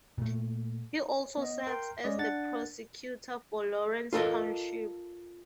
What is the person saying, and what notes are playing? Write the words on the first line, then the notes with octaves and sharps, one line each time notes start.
He also serves as the prosecutor for Lawrence Township.
A#2 A3
B3 D#5
A#4 G5 C6
G#3 C#4 D5 D#5
D4 F#5 A6
F4 A4 A#4 D#5